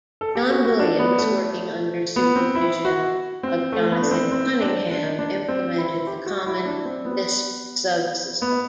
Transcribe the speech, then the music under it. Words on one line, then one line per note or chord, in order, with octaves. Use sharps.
John Williams, working under supervision of Jonathan Cunningham implemented the Common Lisp subsystem.
A4
G4
F#4
F#4
D4
B3
A3
B3
C4
E4
F#4
C4
A3
B3
D4
C4
C4
D4
D4
D4
C4
E4
G4
F#4
E4
D4
C4
B3
B3